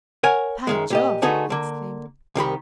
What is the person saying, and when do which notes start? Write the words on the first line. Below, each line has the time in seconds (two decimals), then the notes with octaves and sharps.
"By Jove!" he exclaimed.
0.24 A#4 C#5 F#5 G#5
0.67 F#2 D#3 G#3
0.90 A#2 G4 D#5
1.22 D3 A3 D#4 F#4 G#4 B4
1.50 D3 A#3
2.35 C2 D#3 G4 B5